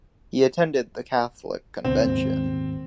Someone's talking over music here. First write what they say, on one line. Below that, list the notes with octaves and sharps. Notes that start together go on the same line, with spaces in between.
He attended the Catholic Convention.
D2 B2 C4
D#1 D#2 G#2